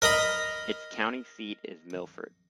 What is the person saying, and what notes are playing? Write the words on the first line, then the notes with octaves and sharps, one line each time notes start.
Its county seat is Milford.
A#4 D#5 A#5 B5